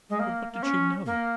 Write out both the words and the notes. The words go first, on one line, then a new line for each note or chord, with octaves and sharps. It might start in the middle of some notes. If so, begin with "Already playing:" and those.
"But what did she know?"
G#3
A#3
A#3
C#4
A#3